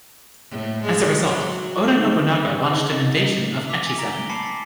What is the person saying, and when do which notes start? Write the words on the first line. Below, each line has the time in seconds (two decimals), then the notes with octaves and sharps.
As a result, Oda Nobunaga launched an invasion of Echizen.
0.50 A2
0.83 G#3
1.23 F#3
1.90 C#3 D#4
3.69 D6 E6 B6 F7
3.87 G#5 A6
3.98 G#5 A#5 A#6 B6 D7
4.13 G7
4.29 A5 B5 D6 C7 C#7
4.43 A6 B6